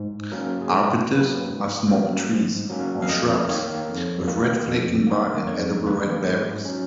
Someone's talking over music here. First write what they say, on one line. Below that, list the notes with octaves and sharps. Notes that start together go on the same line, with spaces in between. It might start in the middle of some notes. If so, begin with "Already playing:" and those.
"Arbutus" are small trees or shrubs with red flaking bark and edible red berries.
Already playing: G#2
F#3 A#3 C#4 A#4
G#4
G#2 A#4
F#3 A#3 C#4 B4
G#2
F#3 A#3 C#4
G#2
F#3 A#3 C#4
F5
F2 D#5
D#3 A#3 C#5
F2
D#3 A#3
F2
D#3 A#3
F2 C#5
D#3 A#3 B4
G#2
F#3 C#4